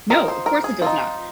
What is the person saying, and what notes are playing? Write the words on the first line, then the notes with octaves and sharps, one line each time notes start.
No, of course it does not.
F3 C4 D#4 A#4
C5
A#4
G#4
F3 C4 D#4 F4